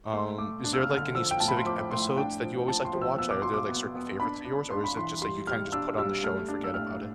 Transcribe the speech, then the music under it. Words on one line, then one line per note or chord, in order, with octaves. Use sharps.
Um, is there, like, any specific episodes that you always like to watch, like, are there, like, certain favorites of yours, or is it just, like, you kinda just put on the show and forget about it?
A3 C6
A3 D6
D4
E6
F6
D3
F6
F3 E6
G5
A2 A5
B5
C6
F3 D6
A2 C6
D4 G5
F3
F3 A5
C6
F3
E6
B3 E6
D6
B2 C6
D6
B3
B3
D4 B5
D4
D4 C6
B5
E3 C6
G3 C6
G3 F6
D4 E6
G3 E6
A3 F6
D4
E6
A2 F6